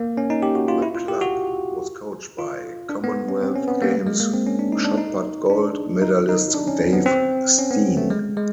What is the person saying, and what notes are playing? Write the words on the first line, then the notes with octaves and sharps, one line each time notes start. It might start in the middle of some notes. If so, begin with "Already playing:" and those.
The club was coached by Commonwealth Games shot put gold medalist Dave Steen.
Already playing: A#3
C#4
D#4
G4
F#4
F4
E4
F4
G4
F#4
F4
D4
B3
C#4
C4
C#4
B3
A#3
A3
G#3
A#3
C4
C#4
D4
D#4
D4
D#4
D4
D#4
D#4
D4
C#4
C4
B3
C4
C#4
B3
A3
G#3
G#3